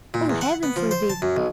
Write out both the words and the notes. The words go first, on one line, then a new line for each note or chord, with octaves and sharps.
Oh, heaven forbid!
A#2
E2
F#5
B3
F3
C5
A5
F#2
B1